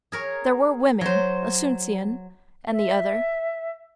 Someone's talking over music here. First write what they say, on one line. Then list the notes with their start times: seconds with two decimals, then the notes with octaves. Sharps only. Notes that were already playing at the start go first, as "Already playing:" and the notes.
There were women, Asuncion, and the other.
0.12 G#4 A#4 C#5
1.01 F#3 C5
2.72 E5